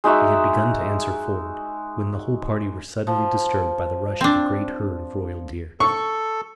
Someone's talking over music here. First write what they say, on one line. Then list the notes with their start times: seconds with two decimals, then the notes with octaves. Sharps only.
He had begun to answer Ford, when the whole party were suddenly disturbed by the rush of a great herd of Royal deer.
0.04 G#3 D#4 F#4 E5
3.07 F3
4.21 C4 D4
5.80 A4 C#6